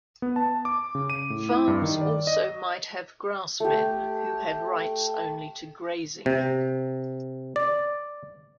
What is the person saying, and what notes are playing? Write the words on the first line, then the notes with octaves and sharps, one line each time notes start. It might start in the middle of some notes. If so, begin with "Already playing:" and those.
Farms also might have grassmen, who had rights only to grazing.
B3
A5
D6
C#3
D#7
A2
E4
G2
D#3
D5
D#5
A3 G4
C3
D5